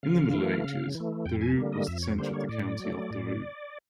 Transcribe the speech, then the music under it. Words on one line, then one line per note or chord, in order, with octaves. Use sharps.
In the Middle Ages, Dreux was the centre of the County of Dreux.
C#3 F5
E3 A3
C#3
E3
A3
F2 G5
G#5
D3 G3 A#3
D#5
F2 E5
C#5
D3 G3 A#3 C5
C#5
A2 D5
F#3 A3
A2